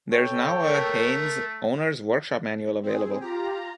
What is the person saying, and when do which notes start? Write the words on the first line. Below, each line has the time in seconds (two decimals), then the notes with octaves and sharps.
There is now a Haynes Owner's Workshop Manual available.
0.11 A4 C#5 G5
0.63 A3 A#4
2.83 C4 G#4
3.20 F4 G4 A#5